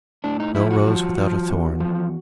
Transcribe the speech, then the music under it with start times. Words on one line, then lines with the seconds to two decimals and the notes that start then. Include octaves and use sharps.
No rose without a thorn.
0.24 A2 D4
0.40 D#4
0.55 F3 E4
0.71 F#4
0.87 F3
1.17 F3
1.49 E2
1.80 F3